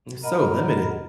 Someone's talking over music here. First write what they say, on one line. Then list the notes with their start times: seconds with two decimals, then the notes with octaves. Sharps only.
And so limited,
0.23 A#4 D#5 F#5 B5